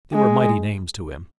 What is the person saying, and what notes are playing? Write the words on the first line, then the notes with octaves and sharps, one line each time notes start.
They were mighty names to him.
G#3